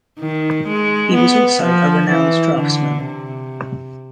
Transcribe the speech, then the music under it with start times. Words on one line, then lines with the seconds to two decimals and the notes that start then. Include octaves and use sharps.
He was also a renowned draftsman.
0.20 D#3
0.67 G#3
1.14 B3
1.63 F3
2.10 E3
2.57 D3
3.05 C3